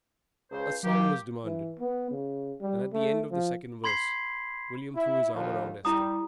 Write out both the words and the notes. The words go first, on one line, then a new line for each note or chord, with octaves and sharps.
A song was demanded, and at the end of the second verse William threw his arm round Esther.
C#2 C5
F#3 A#3 G4
E3
B3
C#3
G3
A3
F3
B5 C6 G#6 B6 C7
E4
D#2 D3 F3
G3 E4 A#5 D#6